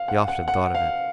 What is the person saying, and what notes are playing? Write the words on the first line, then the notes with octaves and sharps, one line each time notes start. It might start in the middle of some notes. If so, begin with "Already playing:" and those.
He often thought of it.
Already playing: F5
F#5
F#5
F#5
F5